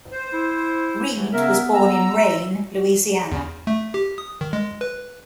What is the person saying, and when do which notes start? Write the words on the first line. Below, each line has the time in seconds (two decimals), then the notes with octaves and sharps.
Reed was born in Rayne, Louisiana.
0.12 C5
0.33 E4
1.14 A2 E3 F#3
1.33 C#3 B3 A#4 E5
1.73 A#5 E6
3.32 E2
3.67 A3
3.94 G4
4.18 D#6
4.41 D#3
4.53 G#3
4.81 B4